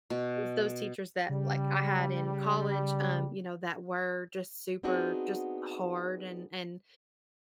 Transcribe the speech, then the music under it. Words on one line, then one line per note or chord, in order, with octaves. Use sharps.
those those teachers that, like, I had in college, um, you know, that were just super just, hard and and
B2
C#3 G3
B3 C4 D4 D#4 F#4 G#4